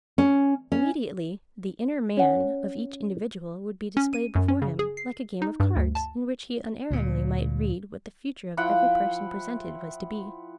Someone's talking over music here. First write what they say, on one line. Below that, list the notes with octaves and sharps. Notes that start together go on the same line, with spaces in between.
Immediately 'the inner man' of each individual would be displayed before him, like a game of cards, in which he unerringly might read what the future of every person presented was to be.
C#4
C#4
C#4 F#5
C#4
D#7
F#2
C#4
C#3
G#4
C7
D#4
G2
D2
A5
D2 A#2
F3 E4 F#5 G5